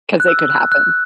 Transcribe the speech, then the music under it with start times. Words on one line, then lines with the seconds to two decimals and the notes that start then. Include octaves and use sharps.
'Cause it could happen.
0.20 F#6
0.28 E6
0.50 F#6
0.72 F#6